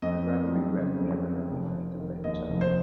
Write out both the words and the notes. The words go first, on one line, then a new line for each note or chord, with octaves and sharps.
I rather regret never having learned to play the cello.
F2 D#5
C4
F#3
C#3
F2
C4
F1
F1
D#3
D#2 D#5
F1
C5